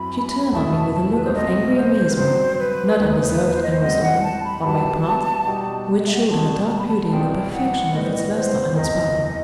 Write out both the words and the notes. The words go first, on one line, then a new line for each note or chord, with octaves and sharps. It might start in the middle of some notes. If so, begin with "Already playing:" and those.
She turned on me with a look of angry amazement--not undeserved, I must own, on my part--which showed her dark beauty in the perfection of its luster and its power.
Already playing: F#2 F#3 C4 E4 B5
B5
F#1 E2 B2 A3 E4 A5
A5
B4
C5
B1 B2 A3 C4 D#5
C5
B4
G2 F#3 C4 C5
B4
E1 D#2 D#3 A3 D#4 B4
C5
B4
C5
D#5
C5
A2 G3 C4 F#4 D#5
F#5
A5
B5
G2 F#3 B3 E4 G4 A5
B2 G3 D#4 G4
D#5
E5
F#5
G5
B2 G3 C4 A5
A5
B5
A5
C2 B2 G3 C4 G5
F#5
A2 G3 B3 D#5
C5
D#5
C5
F#1 E2 C3 D#3 D#5